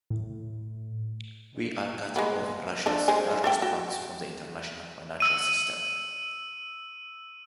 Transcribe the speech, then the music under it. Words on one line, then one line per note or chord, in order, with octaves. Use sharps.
We are cutting off Russia’s largest banks from the international financial system.
A2
G#3 A#3 B3
F3 D4 A4
G#3 C5 G#5
A4 E5 G5
F#4
E6 D#7